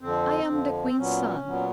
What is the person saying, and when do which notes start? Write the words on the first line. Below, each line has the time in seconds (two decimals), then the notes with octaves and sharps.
I'm the Queen's son.
0.01 F2 D3 F3 C4
0.49 F2 D3 F3
0.86 C4
0.97 A#2 F#3 B3 C#4
1.46 A#2 F#3 B3